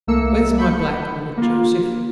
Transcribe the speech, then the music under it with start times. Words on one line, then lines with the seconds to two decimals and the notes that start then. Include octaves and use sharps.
"Where's my blackboard, Joseph?"
0.07 C2 A3 A#3 E6 C#7
0.58 B5 G6 C#7
1.37 A#3 F4